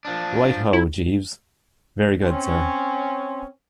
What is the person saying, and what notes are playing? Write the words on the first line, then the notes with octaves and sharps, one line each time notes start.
'Right ho, Jeeves.' 'Very good, sir.'
F3 D4
E4
C4 C#4